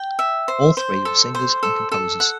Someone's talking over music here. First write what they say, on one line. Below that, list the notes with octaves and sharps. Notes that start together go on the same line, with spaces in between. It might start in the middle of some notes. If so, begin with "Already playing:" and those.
All three were singers and composers.
Already playing: G5
E5
C5
C5
A4
C5
A4
A4
F#5